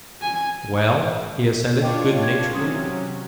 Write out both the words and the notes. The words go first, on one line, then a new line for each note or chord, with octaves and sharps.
"Well?" he assented, good-naturedly.
G#5
D4 F4 C#5 D#5 G5 D6
F5 G#6
C3 F#3 C#4 C6 D#6 G#6